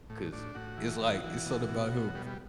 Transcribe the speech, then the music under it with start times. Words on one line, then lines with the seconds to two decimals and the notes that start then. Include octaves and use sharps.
'cause it's, like, it's something about him p
0.10 A2
0.33 A2 D4
0.55 A2 F#4
0.78 E3
1.01 E3
1.24 E3
1.46 B2
1.69 B2
1.91 B2
2.15 B2 G3
2.27 G3